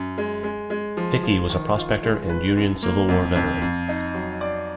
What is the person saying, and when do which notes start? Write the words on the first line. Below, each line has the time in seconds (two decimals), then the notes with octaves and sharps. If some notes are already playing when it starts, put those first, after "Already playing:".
Hickey was a prospector and Union Civil War veteran.
Already playing: F#2
0.18 G#3
0.44 G#3
0.70 G#3
0.97 F3
1.23 F3
1.50 D#3
1.76 F4
2.03 G#3
2.29 B4
2.56 F#2
2.83 A#3
3.08 F2
3.35 F2
3.62 F2
3.88 D#4
4.14 F#3
4.41 D5